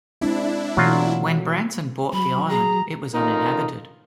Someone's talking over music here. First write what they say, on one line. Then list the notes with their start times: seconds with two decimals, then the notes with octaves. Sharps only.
When Branson bought the island, it was uninhabited.
0.21 G#3 C4 D4 E4
0.77 B2 E3 F#3 A3 F4
2.13 F#3 B5
2.49 G#4 A#5
3.13 A1 D#4 F4 A#4